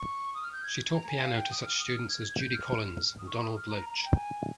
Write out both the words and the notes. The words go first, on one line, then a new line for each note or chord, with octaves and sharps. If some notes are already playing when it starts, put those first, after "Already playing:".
She taught piano to such students as Judy Collins and Donald Loach.
Already playing: C#6
D#6
F6
G6
G#6
G#6
A#5
G#5
F5
G5
D#6
F6
D#6
F6
G#6
G#6
G6
F6
D#6
C#6
D#6
F6
A#5
A#5
A#5
G5
G#5